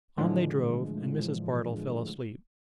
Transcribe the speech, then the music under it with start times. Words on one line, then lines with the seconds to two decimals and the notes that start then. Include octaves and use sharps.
On they drove, and Mrs. Bardell fell asleep.
0.18 A2 D3 E3 F3 G#3